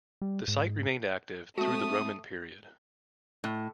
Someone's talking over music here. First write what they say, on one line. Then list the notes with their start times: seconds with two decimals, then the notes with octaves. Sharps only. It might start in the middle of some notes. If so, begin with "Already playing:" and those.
The site remained active through the Roman period.
0.22 G3
0.48 G#2
1.58 G#3 A3 C4 F#4 D#6
3.44 A2